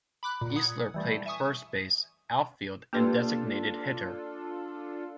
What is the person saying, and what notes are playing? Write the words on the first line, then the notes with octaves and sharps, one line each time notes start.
Easler played first base, outfield and designated hitter.
B5 D6 F#6
A#2
F#5 D#6 G#6
E3 G3 A3
E5 G#5 C#6 D#6
A#3 D4 F4 G4 A4 B4